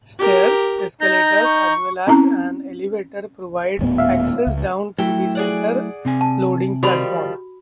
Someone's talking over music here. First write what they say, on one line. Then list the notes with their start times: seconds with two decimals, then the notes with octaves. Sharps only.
Stairs, escalators, as well as an elevator provide access down to the centre-loading platform.
0.19 G4 A#4
1.01 D#4 A#5 G6 A#6
1.44 C#6
2.07 C4 C#4 E4 A#5
3.79 D#1 A2 B3
3.98 E5 F5
4.47 C#2
4.99 F#3 A3 E4 G5
5.35 G#4 D5 F#5
6.05 C3 C4 G#5
6.21 A5
6.83 D#3 F3 G3 F#4 B5